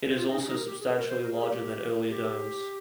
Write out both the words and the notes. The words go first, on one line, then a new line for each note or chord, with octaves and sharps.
It is also substantially larger than earlier domes.
C5
F4
D#4
C#4
D#4
A#4
G4
G#4
A#4
C5
A#4
G#4
G4
G4